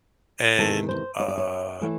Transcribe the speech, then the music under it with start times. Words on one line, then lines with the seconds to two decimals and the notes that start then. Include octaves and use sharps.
and, uh,
0.57 E2 C3 D#3 G#3 B3 A4
0.89 C5
1.20 C#5
1.28 D5
1.38 C#5
1.81 E3 A3